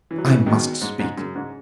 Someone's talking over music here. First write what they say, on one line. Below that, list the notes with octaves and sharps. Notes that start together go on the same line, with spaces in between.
I must speak.
E3 C#4
F#3
C#3 E3 C#4
B2 D#3 G#3
C#4
G#2 G#3
G#2 C#3
F#2 C#3
G#2 C#3